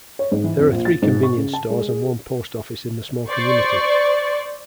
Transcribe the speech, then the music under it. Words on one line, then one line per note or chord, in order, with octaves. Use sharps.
There are three convenience stores and one post office in the small community.
C#5
G#2
E3
F2
A#1
A6
G#2
C#6
C#3
A5
G#3
G#4
C5 D5 C#6